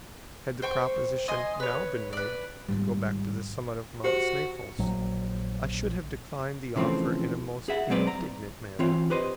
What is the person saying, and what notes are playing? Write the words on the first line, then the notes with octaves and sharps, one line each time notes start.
Had the proposition now been made to go back to the summit of Mount Sneffels, I should have declined the offer in a most indignant manner.
C5 G5 C#6
D#5 G#5 C6 D#6
B4 C#5
B4 D5
G#1 G#2 G3
F#4 G4 C5
A#1 F#3
C#3 E3 F3 A3 C4
G#4 E5 F#5
F#3 G#3 C4 B4 D5
A#5
E3 C4 F4 C#5
G4 B4 C5 D#5